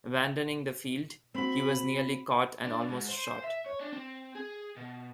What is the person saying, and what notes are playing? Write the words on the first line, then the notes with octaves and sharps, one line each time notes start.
Abandoning the field, he was nearly caught and almost shot.
C4 F#4 B5
D4
G#2
C5
E5
C#5
D4
C4
G#4
B2